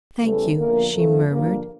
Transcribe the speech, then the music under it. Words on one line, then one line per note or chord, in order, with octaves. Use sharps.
"Thank you," she murmured.
E2 C#3 E3 G3 A3 A4
E2 D3 F3 A#3 A#4
F2 C#3 F3 A3 A4
G2 D3 F3 A#3 A#4